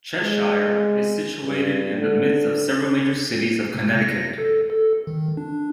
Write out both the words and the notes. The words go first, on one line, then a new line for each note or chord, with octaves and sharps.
Cheshire is situated in the midst of several major cities of Connecticut.
G#3
G2
D3
C3
A#6
A4
A4
D#3
D4